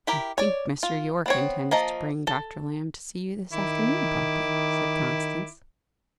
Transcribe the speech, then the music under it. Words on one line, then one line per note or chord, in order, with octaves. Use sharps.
"I think Mr. Yorke intends to bring Dr. Lamb to see you this afternoon, papa," said Constance.
E4 G4 A#4
C#5 D5
F4
B3 C4 C#5
F3 A#3 D#5 A5 A#5
A4
D#3 E4 D6